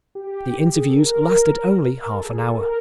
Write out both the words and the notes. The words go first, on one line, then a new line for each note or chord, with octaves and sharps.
The interviews lasted only half an hour.
G4
G#4
A4
A#4
A#4
A#4
A4
G#4
A4
A#4